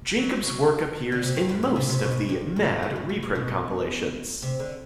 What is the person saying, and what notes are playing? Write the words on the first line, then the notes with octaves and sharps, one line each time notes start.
Jacobs' work appears in most of the "Mad" reprint compilations.
F#3
F#3
D3
C3
G2
F#2
A2
C3
C3
B2
G2
A2
A2
F#2
A2
A2
B2
C3
D3